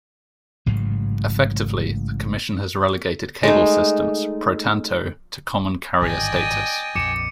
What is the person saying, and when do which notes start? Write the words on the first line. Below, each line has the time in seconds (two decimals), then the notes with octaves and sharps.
Effectively, the Commission has relegated cable systems, pro tanto, to common-carrier status.
0.66 A1 G#2 C#3 F#3
3.43 G#3 A3 D#4
6.02 G#1 G2 D3 D5 D#5 G5 G#5
6.38 D#7
6.95 A#1 F2 F3 D6 C#7 E7